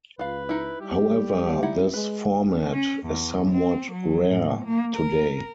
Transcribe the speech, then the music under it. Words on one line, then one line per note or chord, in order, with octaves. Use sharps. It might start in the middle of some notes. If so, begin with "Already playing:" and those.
However, this format is somewhat rare today.
C#2 F4 B4 F5
D#4 E4
G3 G4
D#4 E4 F#5
G#3 B4
C#4
E2
C4
F#3
A2
A#3
A#4